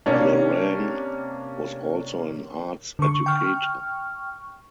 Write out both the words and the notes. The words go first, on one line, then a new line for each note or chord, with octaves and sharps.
Loran was also an arts educator.
C3 A#3 C#4 D4
D3 C#6
G5 C#6 F6